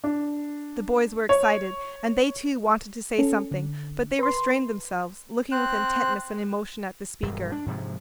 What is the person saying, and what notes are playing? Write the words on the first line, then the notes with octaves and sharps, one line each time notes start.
The boys were excited and they, too, wanted to say something, but they restrained themselves, looking with intentness and emotion at the speaker.
D4
C#5
C#4 A4
D3
B4 C6
C4 C5 F#6
E1 G2
D4
G#2 C3 F3 G#3